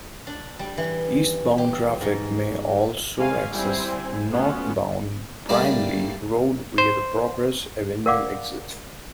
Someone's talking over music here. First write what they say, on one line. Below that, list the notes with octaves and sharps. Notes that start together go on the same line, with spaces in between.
Eastbound traffic may also access northbound Brimley Road via the Progress Avenue exit.
D4
G3
E3
G4
G#2
G#3 C#4 F5 G#5
G3 C4 E4 C5 G#5
F#3 A3 B3 C#4 F4
G3 A3 A#3 D4
C5
A#4 D5 F5 F#5 D6